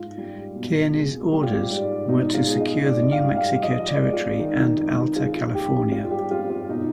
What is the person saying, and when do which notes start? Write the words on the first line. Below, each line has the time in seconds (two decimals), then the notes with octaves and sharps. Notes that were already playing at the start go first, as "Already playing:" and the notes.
Kearny's orders were to secure the New Mexico territory and Alta California.
Already playing: G#2 F4
0.18 G3
0.55 B2
0.95 G#3
1.32 G3 G4
1.43 F4
1.53 G4
1.70 G#2 D5
2.09 B2 D#4
2.34 F4
2.47 G#3
2.60 D#5
2.85 G#2 D5
3.11 F5
3.24 G3
3.37 F5
3.62 F3 D#5
3.87 D5
4.00 G#3
4.13 F4
4.39 D#3 D#4
4.77 F2 D#4
5.15 G#3 F4
5.54 G#2 G4
5.92 G3 F4
6.04 F4
6.11 G4
6.31 F2 F4
6.50 F4
6.69 B2 D#4